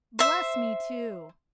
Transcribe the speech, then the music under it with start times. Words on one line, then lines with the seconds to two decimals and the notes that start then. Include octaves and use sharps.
"Bless me too!"
0.19 C5 E5